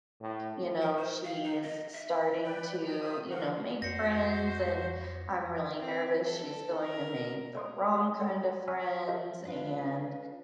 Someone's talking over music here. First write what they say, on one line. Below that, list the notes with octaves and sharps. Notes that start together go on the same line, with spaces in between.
you know, she’s s starting to, you know, make friends and I'm really nervous she's going to make the wrong kinda friends and,
A2
A#4
C5
F5
D#4
D#5
E5
B4 D5 G5 B5
D#5 G5 A5
F4 G4 C5 E5 D#6
F#4 A#4 F5 F#5
F2 F#4 C5 A#6 C#7
C4
A4
A#4
A4 C6 D#6
G4 G#4 D5 D#5 F#5
A4 C#5 D5 F#5 G5
G#5 C#6 E6 F6 B6
F4 G4 A#4 C5 D#5 E5
G#3 D4 F4 B4 F5